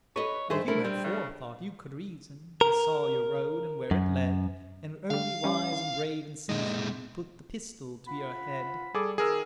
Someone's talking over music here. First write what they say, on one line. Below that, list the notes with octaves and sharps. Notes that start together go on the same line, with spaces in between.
Oh you had forethought, you could reason, And saw your road and where it led, And early wise and brave in season Put the pistol to your head.
A4 B4 C#5 D#5
G2 A3 G#4 C5 D#5
A3 E4 A4 A#4
G3 C4 G4
C#3
A#4
F#2
D3 G3 F5
G3 C#4
E3
A#2 G#3 D#5
F4 F#5 B5
G3 G#4 A4 D6
D#3 G#4 A#4 E6